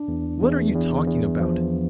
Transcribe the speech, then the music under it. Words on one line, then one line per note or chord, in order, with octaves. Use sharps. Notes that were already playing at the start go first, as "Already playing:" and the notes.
What are you talking about?
Already playing: D4
E2
E2
E2
E2
F3